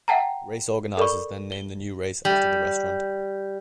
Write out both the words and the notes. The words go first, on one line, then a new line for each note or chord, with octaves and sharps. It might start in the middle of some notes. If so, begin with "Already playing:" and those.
Race organizers then named the new race after the restaurant.
E5 F#5 G5 A5 A#5
A4 A#4 D5 B5 C#6
G7
G3